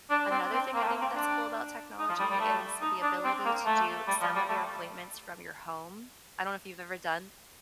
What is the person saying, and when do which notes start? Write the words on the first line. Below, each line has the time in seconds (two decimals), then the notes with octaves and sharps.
another thing I think that's cool about technology is the ability to do some of your appointments from your home. I don't know if you've ever done
0.10 D4
0.31 C4
0.53 C4
0.74 A#3
0.82 A3
0.87 A#3
1.01 C4
1.14 D4
1.99 D#4
2.09 F3
2.19 G3
2.30 G3
2.40 A3
2.81 D#4
3.02 D4
3.24 C4
3.45 A#3
3.65 A3
4.08 G3
4.21 F3
4.35 G3
4.49 A3